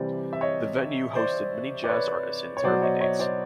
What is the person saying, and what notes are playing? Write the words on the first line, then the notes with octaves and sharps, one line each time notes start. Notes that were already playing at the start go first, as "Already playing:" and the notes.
The venue hosted many jazz artists in its early dates.
Already playing: C3 E3 G3 C5 D5
E5
C#5 D#5
C5 D5
D5
B4 C#5
C#5
B2 F#3 C5 D5
C#5 D#5
C#5 D#5
C5 D5